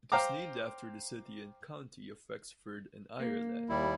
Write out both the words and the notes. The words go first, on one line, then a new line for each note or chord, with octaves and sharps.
It was named after the city and county of Wexford in Ireland.
C5 F5 G5 A#5 D6
A#3
D#2 G3 E4